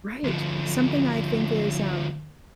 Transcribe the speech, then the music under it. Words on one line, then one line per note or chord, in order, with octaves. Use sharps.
Right. Something I think is, um,
D2 F3